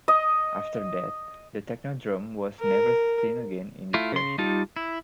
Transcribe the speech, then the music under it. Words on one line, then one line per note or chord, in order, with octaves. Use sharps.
After that, the Technodrome was never seen again in this version.
D#5
A#4
A3 E4 F4
C#3 C6
G3 D#4 F4 A5
E4